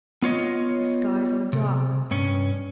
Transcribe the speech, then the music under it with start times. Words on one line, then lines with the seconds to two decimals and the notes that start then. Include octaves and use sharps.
The skies are dark!
0.22 B3 F4 C#5 D#5
1.53 C3
2.11 G2 C#4